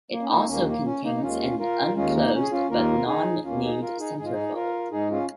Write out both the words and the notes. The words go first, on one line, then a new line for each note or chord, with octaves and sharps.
It also contains an unclothed but non-nude centerfold.
A#3
C#4
A#3 D#4
D#2 D#3 A#3 C#4
A#3
C#4
A#3 D#4
D#4
D#2 D#3 G#3 C#4 F4
F4 A#4
D#2 D#3 G#3 C#4 F4
A#3 D#4
C#4
G#4
C#4 F4
D#2 D#3 A#3 F4 A#4
D#4 G#4
D#2 D#3 A#3 C#4 F4
D#4 G#4
F4 A#4
D#4 G#4
G#2 G#3 G#4
F4
D#4 G#4
F4 A#4
G#2 G#3 D#4 G#4
C#4 F4